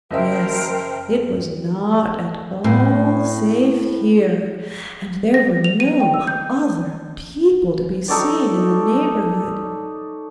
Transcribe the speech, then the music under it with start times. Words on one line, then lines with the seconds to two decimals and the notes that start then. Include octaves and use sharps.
Yes, it was not at all safe here, and there were no other people to be seen in the neighbourhood.
0.11 F#1 A#4 C5 D#5 E5 G5
2.64 A2 C4
5.34 A#6
5.64 F7
5.80 D#7
6.00 G5
6.14 E6
6.27 G6
8.08 D#4 A4 C#5 D5